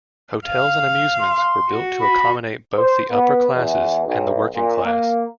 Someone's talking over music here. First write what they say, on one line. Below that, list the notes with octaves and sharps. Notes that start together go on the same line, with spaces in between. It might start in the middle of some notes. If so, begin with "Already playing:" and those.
Hotels and amusements were built to accommodate both the upper-classes and the working-class.
F5
C6
F#4
B5
C5
B3
E2
B1
A#2
A#3